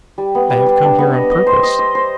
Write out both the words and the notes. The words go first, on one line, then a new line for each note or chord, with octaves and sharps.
I have come here on purpose.
G3
B3
G3
G3
D4
B3
D#5
D#5
C5
D#5
D#5
C5